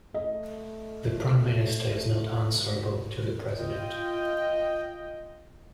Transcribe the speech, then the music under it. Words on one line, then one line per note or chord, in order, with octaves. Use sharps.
The Prime Minister is not answerable to the President.
A3 D#5
F4 D#5 G5